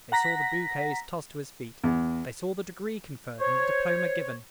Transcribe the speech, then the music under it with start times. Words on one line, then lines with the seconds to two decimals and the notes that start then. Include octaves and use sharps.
They saw the bouquets tossed to his feet. They saw the degree conferred and the diploma given.
0.12 F#5 A#5 A#6 B6
1.84 E2
3.40 C5 C#5